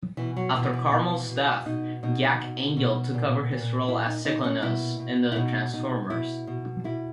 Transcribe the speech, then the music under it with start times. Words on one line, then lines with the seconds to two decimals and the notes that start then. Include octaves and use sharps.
After Carmel's death, Jack Angel took over his role as Cyclonus in "The Transformers".
0.17 B2 E3
0.37 F#3
0.55 B2 E3
0.73 E3
0.92 B2 E3
1.29 B2
1.66 B2 D#4
2.03 B2 D#4
2.40 B2
2.77 B2
3.14 A#2
3.51 A#2
3.88 A#2 E4
4.07 D#4
4.25 A#2 D#4
4.44 C#4
4.62 B2 E4
4.99 B2
5.32 E4
5.36 B2 D#4
5.73 B2 D#4
6.10 B2 E4
6.47 B2
6.84 B2 E4